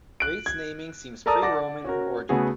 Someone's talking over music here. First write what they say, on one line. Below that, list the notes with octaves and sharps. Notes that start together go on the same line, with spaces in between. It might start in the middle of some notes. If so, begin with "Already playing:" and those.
Rates naming seems pre-Roman in origin.
F#6 D7
G#6
A4 A#4 D5 A5 A#5 D#6
D5 F#5 A5 D6 A#6
C#4 F#4 A#4
C#3 A3 B3 F#4 G#4